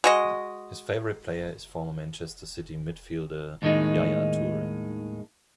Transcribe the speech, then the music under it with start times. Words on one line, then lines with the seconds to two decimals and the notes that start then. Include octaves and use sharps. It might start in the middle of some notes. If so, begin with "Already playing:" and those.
His favorite player is former Manchester City midfielder Yaya Toure.
0.04 G#3 F#4 D#5
3.62 D#2 A2 D#3 G#3 D#4